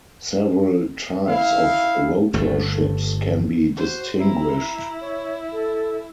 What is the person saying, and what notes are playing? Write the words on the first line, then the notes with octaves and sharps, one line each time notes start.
Several types of rotor ships can be distinguished.
E4 F5
G1 A3
F#4 C5
E4 A#5
C#5
A4